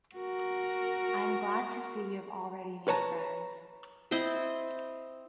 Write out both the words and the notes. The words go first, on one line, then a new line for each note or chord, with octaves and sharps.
I am glad to see you have already made friends.
F#4 A#4
B4 C#5 A5 A#5
C4 E4 C5 D#5